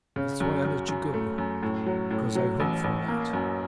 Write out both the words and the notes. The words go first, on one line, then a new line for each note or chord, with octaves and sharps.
That's why I let you go, because I hope for that.
C#3
F#2
F#2
F#2
A3
F#2
A2
F#3
A2
F#3
A1
A1
A#3
F#2